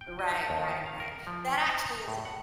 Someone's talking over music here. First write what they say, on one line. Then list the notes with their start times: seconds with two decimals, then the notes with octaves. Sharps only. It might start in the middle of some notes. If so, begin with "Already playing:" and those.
Right, right, right. That actually is a
0.01 G5
0.19 D#5
0.32 D#4
0.50 D#2
0.63 D#3
0.86 F5
1.00 A#4
1.27 F3
1.66 A5
1.85 A#5
2.08 A2
2.25 F#5